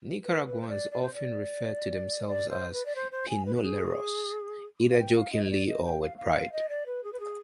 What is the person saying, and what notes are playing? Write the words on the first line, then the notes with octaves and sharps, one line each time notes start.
Nicaraguans often refer to themselves as "Pinoleros", either jokingly or with pride.
B4
B4
C5
D5
D5
C5
D5
D5
C5
B4
D5
C5
C5
G#5
B4
B4
G#4
F5
G5
F5
D#5
D#5
D5
D#5
G5
F5
F5
F5
D#5
D5
B4
G#4
B4
G#4